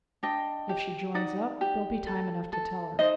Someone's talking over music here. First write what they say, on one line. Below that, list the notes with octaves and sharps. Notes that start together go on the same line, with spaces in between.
If she joins up, there'll be time enough to tell her.
D4 D#5 G5
G4
D#4 D5 F#5
G4
A4
A4
D#4 C5 D#5